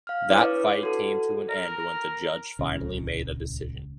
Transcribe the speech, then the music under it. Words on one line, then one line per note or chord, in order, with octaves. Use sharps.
That fight came to an end when the judge finally made a decision.
F5 F6
D4 E4 B4 C#5 D6
F#4 A4
A#4
D#1 C#2 C#3